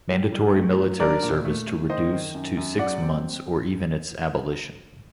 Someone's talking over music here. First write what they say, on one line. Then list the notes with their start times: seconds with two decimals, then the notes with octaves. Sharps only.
Mandatory military service to reduce to six months or even its abolition.
0.10 G3
0.32 G3
0.55 A3
0.77 F#3
1.00 D4 A#4 D5
1.23 A#2
1.45 A3
1.68 A3
1.89 D#3 C5 D#5
2.12 D#3
2.34 F#2
2.57 F#2
2.79 F#3 D5 F#5
3.02 C4